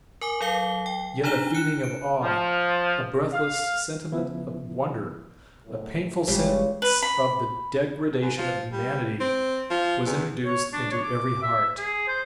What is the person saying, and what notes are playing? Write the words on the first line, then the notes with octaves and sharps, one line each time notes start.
Yet a feeling of awe, a breathless sentiment of wonder, a painful sense of the degradation of humanity, was introduced into every heart.
A#4 G#5 D6
F#3 A4 F5 G7
G5
D4 D#4 A#5 E7 G7
F#6 C#7
D7
F3
F5
C#3 F3 B3 E4
F#2 A2
G1 C#3 G3 G#3 F4 C#5
B4
B5
F#2
F3
G3
C4
F3
E2
C#5
D4
C#5
D6
E5
G#4
C5